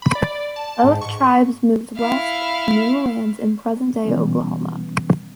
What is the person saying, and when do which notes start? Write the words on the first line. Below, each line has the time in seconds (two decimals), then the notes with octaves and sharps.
Both tribes moved west to new lands in present-day Oklahoma.
0.02 B5
0.15 D5
0.56 A5
0.83 G#2
1.01 C#6
1.97 E4 F5
4.03 B2 D#3 E3 G3 B3 C#4